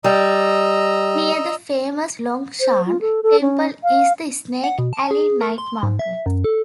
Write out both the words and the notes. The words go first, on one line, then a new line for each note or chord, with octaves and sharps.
Near the famous Longshan Temple is the Snake Alley Night Market.
G3 D#5 A#5 E6
C5
F4
A4
A4
C#4
F5
F#5
B2
A5
G#4
A#4
C6
G#2
E5
F#2
A4